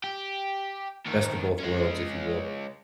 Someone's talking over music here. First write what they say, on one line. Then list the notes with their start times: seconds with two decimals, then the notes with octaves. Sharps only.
Best of both worlds, if you will.
0.04 G4
1.06 D2 D#3
1.59 G#3 C#4